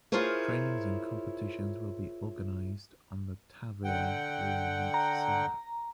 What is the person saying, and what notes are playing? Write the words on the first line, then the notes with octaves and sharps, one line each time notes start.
Trainings and competitions will be organized on the Tähvere wall next summer.
E4 F4 G#4 A#4 C5 C#5
D3 F#5 G5
A#5